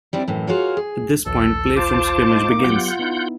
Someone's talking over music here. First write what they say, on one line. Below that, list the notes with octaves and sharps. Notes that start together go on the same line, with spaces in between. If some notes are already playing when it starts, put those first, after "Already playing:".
At this point, play from scrimmage begins.
G3 C4 D4 E4
F#2 A2 E3
F4 F#4 G#4 A#4 C#5 F5
G#4
A#1 D#2 A4
F4 C5 A5 D6
D#5
A#3 D#4
F#3 B3 F4 G4 F#5 G6
B3 D#4 E4